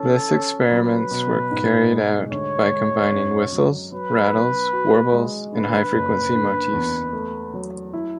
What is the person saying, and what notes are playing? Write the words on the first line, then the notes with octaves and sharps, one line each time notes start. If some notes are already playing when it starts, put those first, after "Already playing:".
This experiments were carried out by combining whistles, rattles, warbles, and high-frequency motifs.
Already playing: E3 C#4 A4
C#4
F#3 B4
B2
G#2
G#3
D2 C#5
G#3
F#2
F#3
F#3 B4
B1
F#4
G#3
D3 B4
F#1
D3
E2
A3
F#3
E4